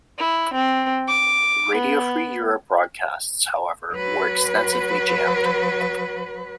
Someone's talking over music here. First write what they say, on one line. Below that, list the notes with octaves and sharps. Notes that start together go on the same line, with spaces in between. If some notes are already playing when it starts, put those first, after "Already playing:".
Radio Free Europe broadcasts, however, were extensively jammed.
E4
C4
D6
B3
F#3 B4